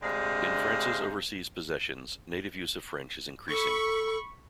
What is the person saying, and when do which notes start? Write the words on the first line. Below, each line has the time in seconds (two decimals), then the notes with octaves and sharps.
In France's overseas possessions, native use of French is increasing.
0.01 D2 C3 G#3 D4 F5
3.49 A4 B5 C#6